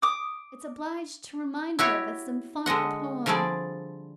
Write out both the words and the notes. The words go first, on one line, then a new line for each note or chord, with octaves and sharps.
It's obliged to remind her of a symphonic poem.
D6 D#6
E4 F#4 G4 C#5
D3 G#3 D#5 F#5
D3 F3 G3 C4 G#4 D5